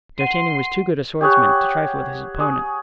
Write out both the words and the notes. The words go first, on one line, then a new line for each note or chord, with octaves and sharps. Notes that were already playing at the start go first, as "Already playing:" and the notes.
D'Artagnan was too good a swordsman to trifle with his opponent.
F#5 C6 C7 D#7
G4 G#4 C#5 F#5
G#4